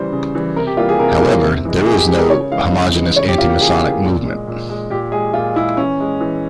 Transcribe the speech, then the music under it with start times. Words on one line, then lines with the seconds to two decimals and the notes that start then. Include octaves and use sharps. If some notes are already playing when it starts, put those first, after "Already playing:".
However, there is no homogeneous anti-Masonic movement.
Already playing: C#3 E3 G3 C5
0.12 C#3
0.35 E3 G3
0.56 C3 A#4
0.67 G4
0.77 E3 G3 A#3 F4
0.89 G#4
0.99 C3 A#4
1.21 E3 G3 A#3
1.42 C3
1.65 E3 G#3
1.86 C3 G#4
1.97 G4
2.08 E3 G#3 G4
2.19 A#4
2.30 C#3 C#5
2.51 E3 G#3 F5
2.73 C#3
2.95 E3 G#3
3.16 C#3 C#5
3.28 G4
3.38 E3 A#3 F4
3.50 G4
3.60 C#3 G#4
3.82 E3 A#3
4.04 A#2
4.26 G#3
4.47 A#2
4.69 G#3
4.90 A#2 G4
5.12 G#3 G#4
5.34 A#2 F4
5.55 G#3 E4
5.77 E3 C#4
6.00 G#3
6.21 E3